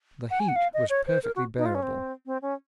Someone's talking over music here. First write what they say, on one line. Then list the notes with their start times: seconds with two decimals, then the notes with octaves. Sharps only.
The heat was perfectly bearable.
0.31 F#5
0.40 G#5
0.48 F#5
0.56 F5
0.74 D#5
0.90 C#5
1.07 C5
1.24 A#4
1.36 F#4
1.58 D#4
1.66 F4
1.75 C#4
1.83 C4
2.26 C4
2.42 C#4